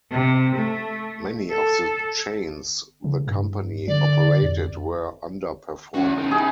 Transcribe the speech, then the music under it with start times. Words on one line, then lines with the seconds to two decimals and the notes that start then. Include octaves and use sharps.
Many of the chains the company operated were underperforming.
0.11 C3
0.55 A3
1.50 A4
3.04 C#3
3.27 G2
3.88 D3 D5
4.42 F2
5.94 E2 C#4 F#4
6.17 B2 D#3
6.31 D#3 E4 G#4